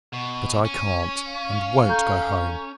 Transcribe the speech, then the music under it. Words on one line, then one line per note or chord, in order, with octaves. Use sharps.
But I can't, and won't, go home.
B2 C#6
C#4
F5
A4 A#5 C#6 G6